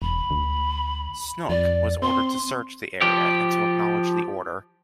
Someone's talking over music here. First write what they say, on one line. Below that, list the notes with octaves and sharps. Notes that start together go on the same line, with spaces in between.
"Snook" was ordered to search the area and to acknowledge the order.
E1 B5
D2
F2 D5
C4 C6
F3 G4